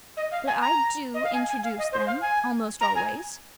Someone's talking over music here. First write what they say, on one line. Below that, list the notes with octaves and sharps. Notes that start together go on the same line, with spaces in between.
But I DO introduce them--almost always.
D#5
F5
G#5
A#5
D#5
F5
G#5
G#5
F5
D#5
C5
F5
G#5
A#5
G#5